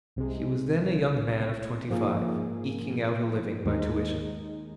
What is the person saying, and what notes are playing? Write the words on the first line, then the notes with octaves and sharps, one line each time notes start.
He was then a young man of twenty-five, eking out a living by tuition.
C2 C3 G#3
G#2 F3 A#3 G#4
D#2 D#3 G#3 D#4